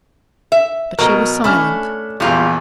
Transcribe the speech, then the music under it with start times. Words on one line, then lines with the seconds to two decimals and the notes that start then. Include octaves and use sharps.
But she was silent.
0.52 E5
0.99 B2 F#3 A#4
1.44 A3 C#4 D4 B5 F6
2.20 A#1 E2 G3 F4